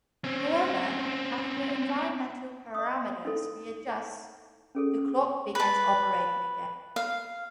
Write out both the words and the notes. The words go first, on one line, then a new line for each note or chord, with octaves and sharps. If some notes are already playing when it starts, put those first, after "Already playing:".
However, after environmental parameters readjust, the clock begins operating again.
C4 C#4
D#5 D#6
D#4 E4 A4
C#4 G#4 A4
B4 A5
F5